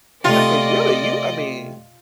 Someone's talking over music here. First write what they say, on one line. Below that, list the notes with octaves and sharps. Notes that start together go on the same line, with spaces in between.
I was like, “Really, you I mean
C3 A3 F4 D5 D#5